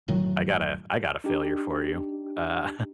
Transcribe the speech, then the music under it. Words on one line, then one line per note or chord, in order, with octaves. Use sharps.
I got a I got a failure for you, uh
F#1 A2 D#3 F#3
D4 D#4 G4